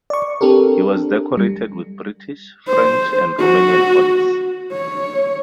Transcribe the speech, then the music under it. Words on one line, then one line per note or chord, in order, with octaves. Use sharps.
He was decorated with British, French and Romanian orders.
D5 C#6
C4 D4 G4 A4 A#4
G3
C5
F#4
C#5